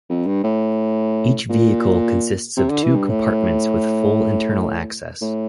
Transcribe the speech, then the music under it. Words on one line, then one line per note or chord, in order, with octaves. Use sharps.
Each vehicle consists of two compartments with full internal access.
F2
G2
A2
A#2
C3
D3
E3
G2
A2
A2